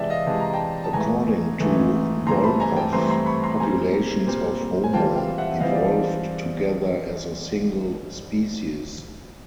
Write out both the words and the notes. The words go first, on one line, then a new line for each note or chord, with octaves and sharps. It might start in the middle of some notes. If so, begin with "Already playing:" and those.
According to Wolpoff, populations of "Homo" evolved together as a single species.
Already playing: C3 E3 G#3 D5 E5 G5 A5
D#5 F5
C3 E3 G#3 A5
A#5
G5 A5
A5
G#2 E3 A3 G#5 A#5
G#2 E3 A3
G2 E3 A3 C4 A#5 C6
A5 B5
G#5 A#5
G5 A5
G2 E3 A3 C4 A#5 C6
A#5 C6
B5 C#6
A#5 C6
A#2 G3 C4 G#5 A#5
A#2 G3 C4
G#5
E3 G3 C4 F4 G5 A5
F5 G5
E5 F#5
E3 G3 C4 F4 D#5 F5
D5